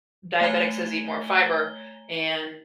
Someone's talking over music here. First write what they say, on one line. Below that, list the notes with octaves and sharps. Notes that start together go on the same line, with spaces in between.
diabetics says eat more fiber, and
A3 C#5 G#5 A#5 G#6 G7